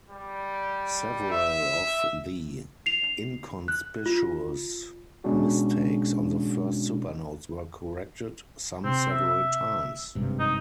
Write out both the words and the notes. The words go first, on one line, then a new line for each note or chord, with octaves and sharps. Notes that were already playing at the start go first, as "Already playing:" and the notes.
Several of the inconspicuous "mistakes" on the first supernotes were corrected, some several times.
G3
E5
C7 F7
F#6
F4
B2 G#3 C#4 D4 F#4
C3 C4
E5
G#1 G2 C3
D#4